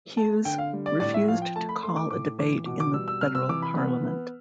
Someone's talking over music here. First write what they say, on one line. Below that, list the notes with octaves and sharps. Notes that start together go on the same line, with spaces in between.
Hughes refused to call a debate in the Federal parliament.
A3 A5
D3 G5
F5
G3
D5
A2 D5
E5
F3 F5
G5
A3 A5
B5
A3 C6
D6
A2 D6
E3 D6
B2 D6
D6
G3 E6
E6
C3 F6
E6
E3 D6
B5
B3
B3